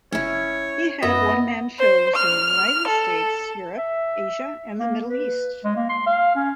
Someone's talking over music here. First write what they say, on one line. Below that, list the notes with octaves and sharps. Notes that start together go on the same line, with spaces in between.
He had one-man shows in the United States, Europe, Asia and the Middle East.
F1 C#4 E4 C#5
F#2 B3 D#5 E5
C5
F6
A4
E5
A#3
B4
G#3
A#3
C6
F5
C#4